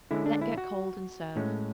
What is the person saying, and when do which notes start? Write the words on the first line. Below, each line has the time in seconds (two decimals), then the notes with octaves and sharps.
Let get cold and serve.
0.11 D3 G#3 C#4 E4
0.26 D4
0.41 E4
0.58 F#4
1.36 A2 G#3 C#4